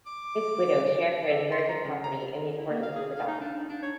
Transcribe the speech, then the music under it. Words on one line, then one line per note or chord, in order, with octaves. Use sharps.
His widow shared her inherited property in accordance with the document.
D6
A4
C6
A#5
C#3
A#5
E4
A#3
F5
G#4
F5
D#4
D4
D#4
D4
C#5